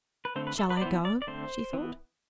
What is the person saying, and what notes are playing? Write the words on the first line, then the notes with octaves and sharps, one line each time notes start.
"Shall I go?" she thought.
B4
D3 A3 C4 C5
B4
A4
B4
D5
E3 B3 C5
D5
D5
D3 A3 C4 C5
E3 B3